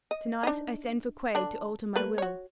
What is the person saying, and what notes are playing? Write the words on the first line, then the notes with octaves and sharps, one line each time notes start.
To-night I send for Quaid to alter my will.
D#5
D4 D#4
D3 D4
A3 A#3 B4
F#4 C#5